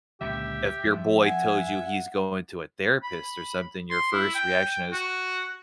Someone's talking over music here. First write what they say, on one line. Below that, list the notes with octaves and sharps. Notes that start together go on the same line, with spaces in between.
if your boy tells you he's going to a therapist, or something, your first reaction is,
C#2 A#2 D3 G4 E5
F2 F3
F#5 G#5
B5
C6
E4
G5
F#4